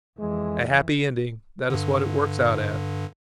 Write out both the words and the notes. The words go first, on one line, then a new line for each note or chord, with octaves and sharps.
A happy ending, that is what it works out at.
F2 E3 G#3
G2 D3